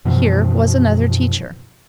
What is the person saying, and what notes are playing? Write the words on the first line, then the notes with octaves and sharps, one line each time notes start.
Here was another teacher.
F#2 B2 E3 F3